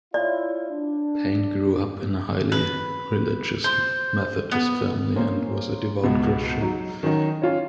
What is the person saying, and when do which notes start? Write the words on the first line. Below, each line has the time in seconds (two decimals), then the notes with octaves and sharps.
Payne grew up in a highly religious Methodist family and was a devout Christian.
0.14 E4 F4 C#5 D5
0.70 D4
2.52 B4
3.64 C5
4.52 B3
5.16 A#3 C#4 C5
6.03 C#2 B2
6.61 F#3 D#4
7.03 D#3 F#3 C#4 D#4
7.42 C#4 F4 C#5